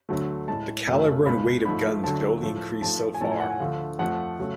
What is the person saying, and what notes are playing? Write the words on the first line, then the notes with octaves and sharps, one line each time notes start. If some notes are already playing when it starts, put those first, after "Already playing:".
The calibre and weight of guns could only increase so far.
D2 D3 F#3 A3
A2 G#3 A5
F#2 C#3 F#3 A3
C#2 B2 G#3 B5
G#2 F3 A3 B5
D2 D3 F#3 A3 A5
A2 F3 A3
G#2 F3 A3 A5
G#5
A2 F3 A3 A5
G#5
F#5
G#5
D2 D3 F3 A3 F5
F2 F3 A3 F#5
C#3 F#3 A3